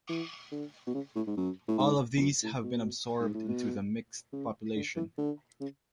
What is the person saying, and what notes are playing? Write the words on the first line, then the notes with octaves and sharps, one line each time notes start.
All of these have been absorbed into the "mixed" population.
E3
D3
B2
C#3
A2
G#2
F#2
A2
G#2
E2
F#2
A2
B2
G#2
A2
B2
C#3
D3
E3
D3
C#3